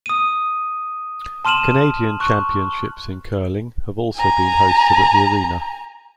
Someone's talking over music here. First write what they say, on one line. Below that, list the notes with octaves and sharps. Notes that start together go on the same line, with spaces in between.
Canadian championships in curling have also been hosted at the arena.
D#6 D#7
A5 C6 F6 D#7 E7 F#7
C#6 F#6
G#5 A#5